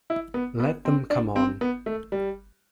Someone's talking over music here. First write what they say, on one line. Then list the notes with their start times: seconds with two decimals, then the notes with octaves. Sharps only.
Let them come on.
0.10 E4
0.34 B3
0.60 B3
0.85 C4
1.10 D4
1.36 C4
1.61 B3
1.86 A3
2.12 G3